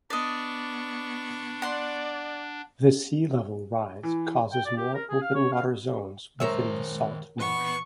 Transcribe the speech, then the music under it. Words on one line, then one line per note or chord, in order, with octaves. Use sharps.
The sea level rise causes more open water zones within the salt marsh.
B3 D4 D5 D#5 C#6
D5 F#5 C6
E3
G5
D5
G4
A#4
G#4
F5
C#5
F5
F#2 A#2 D#3 G#3 A#4 C5 C#5 E5
A#2 E3 B4 F#5 C#6